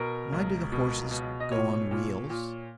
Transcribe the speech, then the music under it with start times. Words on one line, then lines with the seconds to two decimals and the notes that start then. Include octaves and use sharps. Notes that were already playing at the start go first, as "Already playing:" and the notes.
"Why do the horses go on wheels?"
Already playing: B2 A#4
0.32 C#2
0.72 B2
1.11 B2
1.40 D#5
1.52 A#2 C#5
1.91 A#2
2.30 A#2